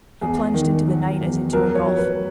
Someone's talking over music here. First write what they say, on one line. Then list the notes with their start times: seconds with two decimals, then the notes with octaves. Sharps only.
He plunged into the night as into a gulf.
0.21 E2 G#4
0.54 D#3
0.87 F#3
1.21 E2
1.53 F#3 A#4
1.75 C#5
1.86 F#3
1.97 B4